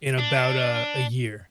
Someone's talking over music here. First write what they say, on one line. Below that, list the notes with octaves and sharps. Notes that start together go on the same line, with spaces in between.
in about a a year.
D4